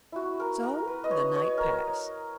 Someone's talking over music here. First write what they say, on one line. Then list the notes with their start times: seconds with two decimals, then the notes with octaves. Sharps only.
So the night passed.
0.12 E4 F#4
0.40 A#4
0.63 A#4
0.87 B4
1.04 D#5
1.11 C#5
1.35 C#5
1.57 A#4